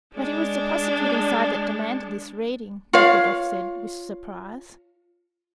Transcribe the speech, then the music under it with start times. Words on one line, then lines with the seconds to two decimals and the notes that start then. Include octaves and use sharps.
"But it was the prosecuting side that demanded this reading," Nekhludoff said, with surprise.
0.15 G#3 D4
2.93 F4 C#5 F5